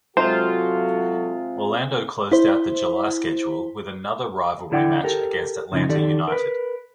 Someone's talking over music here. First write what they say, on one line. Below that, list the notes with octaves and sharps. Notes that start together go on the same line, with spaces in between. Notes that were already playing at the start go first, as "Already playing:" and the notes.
Orlando closed out the July schedule with another rivalry match against Atlanta United.
C3 F#3 G#3 F4 F#4 A4 C5
E4 C5
D3 E4 D5 F#5 G5
G4 A4 A#4
F2 C#3 F3 D#4
D#3 D#4 G4 A4 D5
A#4 B4